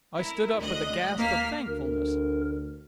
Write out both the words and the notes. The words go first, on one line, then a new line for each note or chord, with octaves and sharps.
I stood up with a gasp of thankfulness.
E4 A#4
D2 D#5 F#6
D#2 A#3 F6 B6
D2 A#4